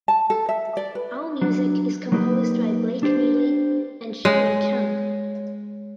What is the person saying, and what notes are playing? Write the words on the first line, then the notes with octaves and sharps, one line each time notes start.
All music is composed by Blake Neely and Sherri Chung.
A5
A4
E5
D5
B4
F#3 D4
F#3 A#3 D#4 G4 B4
D4 G4 C5
G#3 C#5